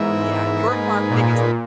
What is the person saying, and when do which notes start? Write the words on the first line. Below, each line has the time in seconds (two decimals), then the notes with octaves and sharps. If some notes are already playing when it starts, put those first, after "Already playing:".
Yeah, your marketing is,
Already playing: G#2 E3 B3 E4 A#4 E5
0.68 A#3 D#4 G#4 B4
1.10 A#2